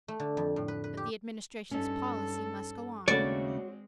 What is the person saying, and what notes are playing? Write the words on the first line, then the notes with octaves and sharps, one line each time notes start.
But the Administration's policy must go on.
A3
D3
F2
A2
B4
B4
G4
G2 C#4 D#4 A4
D#2 C#3 G#3 A3 C4 F#4 C#5 D5